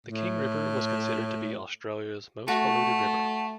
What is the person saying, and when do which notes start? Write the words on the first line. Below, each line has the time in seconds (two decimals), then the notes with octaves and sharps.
The King River was considered to be Australia's most polluted river.
0.06 A2
2.48 A3 F#4